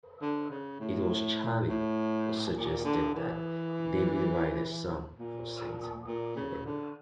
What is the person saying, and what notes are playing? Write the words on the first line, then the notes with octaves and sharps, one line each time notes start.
It was Charlie who suggested that Dave write a song for Saint Helena.
D3
C#3
A2
A2
A#2
D3
E3
A#2
A#2
C#3
D3